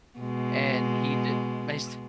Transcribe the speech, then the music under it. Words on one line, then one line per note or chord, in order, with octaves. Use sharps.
And he did my s
B2 G#3